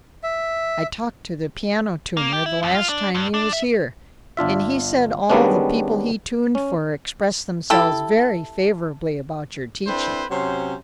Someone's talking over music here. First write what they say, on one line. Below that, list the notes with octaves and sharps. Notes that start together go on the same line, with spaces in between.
I talked to the piano tuner the last time he was here, and he said all the people he tuned for expressed themselves very favorably about your teaching.
E5
A#3
G4
E4
F2
F4
D4
G2
D4
E5
G1 D4 F4 E5
D#3 G3 G#3 B3 C#4 D4
C#4
E4 G4 A4
C4 D4 E4 A4 B4 C5
C3 F#3 C#4 C5